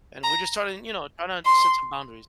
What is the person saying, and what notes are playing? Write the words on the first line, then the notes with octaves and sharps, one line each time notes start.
And we're just starting, you know, trying to set some boundaries.
A#5
C6